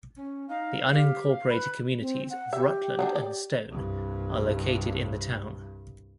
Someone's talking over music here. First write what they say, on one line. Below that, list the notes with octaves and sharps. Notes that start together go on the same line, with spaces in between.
The unincorporated communities of Rutland and Stone are located in the town.
C#4
D#4 F5
G4
F5
B4 B5
C4
F#5
G4 E5
F#3 A#3 D4
D5
C2 G2